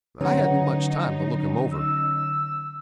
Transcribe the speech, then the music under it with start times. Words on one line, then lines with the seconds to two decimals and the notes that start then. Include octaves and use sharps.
I hadn't much time to look him over.
0.21 D3 F#3 C#4 D#4 C#5 F#5
1.72 E6